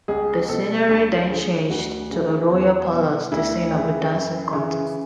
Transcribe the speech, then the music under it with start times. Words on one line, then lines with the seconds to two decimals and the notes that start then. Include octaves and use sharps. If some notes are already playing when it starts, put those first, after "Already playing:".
The scenery then changed to a royal palace, the scene of a dancing contest.
0.08 C#2 G#4
0.48 B2 A4
0.89 D2 A4
1.30 D3 G#4
1.70 D2 F#4
2.10 C#3 E3
2.51 E2
2.92 B2
3.32 D2 E4
3.72 C#3 E3
4.12 F#2
4.53 C#3 E3